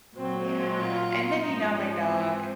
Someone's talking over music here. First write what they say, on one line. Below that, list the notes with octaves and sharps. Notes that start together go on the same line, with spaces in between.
yeah, and then, you know, my dog,
A#2 F#3 C4
C4
F4
G#2 F3 D#4
C#4
C4